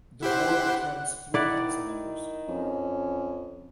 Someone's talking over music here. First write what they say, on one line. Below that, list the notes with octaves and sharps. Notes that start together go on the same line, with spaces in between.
The ward returns three council members.
E4 G4 C5 F#5
D#3 E4 D5 F#5
F2 C#4